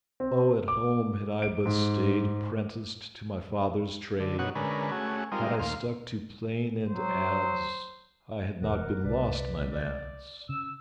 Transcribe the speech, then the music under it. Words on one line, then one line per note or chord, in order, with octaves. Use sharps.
"Oh, at home had I but stayed 'Prenticed to my father's trade, Had I stuck to plane and adze, I had not been lost, my lads."
C4
D6
D7
G#2
D3
B2 D#4 F#4 C#5 F#5
D3 G#3 C#4 A#4 B4
A3 C#4 F#4 G#4
G3 G#3 C4 D#4 F4 A#4
D#2 A#2 F5 C6
F#3 C5
F1 E2 A#4 F#5
C2 B4 D5
D5
C#3 E6